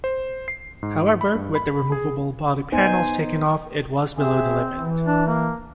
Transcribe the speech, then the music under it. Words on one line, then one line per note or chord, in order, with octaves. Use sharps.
However, with the removable body panels taken-off it was below the limit.
C5
C7
G#2
B5
G2
B5
G#4
B3 D#4 C5 G#5
C4 G#4 E5
E3
D4
A#3